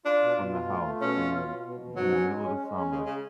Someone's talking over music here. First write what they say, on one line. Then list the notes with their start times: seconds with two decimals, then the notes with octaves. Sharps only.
from the house, and i in the middle of the summer.
0.05 D4 F4
0.22 B2
0.38 B2
0.53 F4
0.69 A3
0.85 A3
1.01 B2 C#4
1.17 F4
1.33 B2
1.48 B2
1.64 B2
1.80 B2
1.96 G#2 F#3
2.12 C#4
2.28 G#3
2.44 C#4
2.59 G#3
2.76 C#4
2.91 C#3 G#3
3.05 C#3